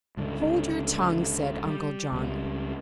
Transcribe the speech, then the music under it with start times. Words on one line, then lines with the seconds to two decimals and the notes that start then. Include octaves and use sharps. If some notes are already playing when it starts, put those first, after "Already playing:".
"Hold your tongue," said Uncle John.
0.17 C#2 G2 D3
1.66 G3
2.12 C#2 G3